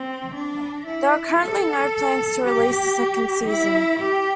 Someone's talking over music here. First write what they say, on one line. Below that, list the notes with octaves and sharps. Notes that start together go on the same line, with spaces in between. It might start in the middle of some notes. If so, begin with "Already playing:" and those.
There are currently no plans to release the second season.
Already playing: C4
D4
E4
A4
G4
E4
G4